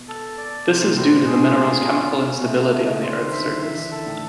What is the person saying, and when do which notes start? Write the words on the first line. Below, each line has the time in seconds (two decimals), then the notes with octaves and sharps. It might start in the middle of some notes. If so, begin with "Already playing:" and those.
This is due to the mineral's chemical instability on the Earth's surface.
Already playing: B2
0.08 A4
0.38 D5
0.67 C3 C5
0.82 A#2
0.97 A2 C5
1.26 B2 G#4
1.56 F4
1.85 C#4
2.15 C#4
2.40 B2
2.44 C3 A3
2.59 C3
2.73 C#3 A3
2.89 C#3
3.03 D3 C5
3.23 D#3
3.33 E5
3.42 D#3
3.62 E3 E5
3.77 D#3
3.91 D3 A4
4.06 A2